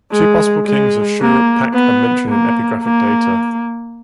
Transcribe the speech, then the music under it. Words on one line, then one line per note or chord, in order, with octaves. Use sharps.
Two possible kings of Shuruppak are mentioned in epigraphic data.
G#3
G#3
A#3
B3
A#3
A#3